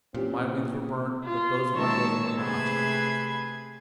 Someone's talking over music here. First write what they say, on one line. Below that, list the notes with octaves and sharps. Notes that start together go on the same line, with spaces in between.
My wings were burnt, but those of my brother were not....
A#2 E3 C4 C#4 G4
F4
A#2 D#3 G#3 C#5 A5 E6
C3 A3 G#4 B4 C5 G#6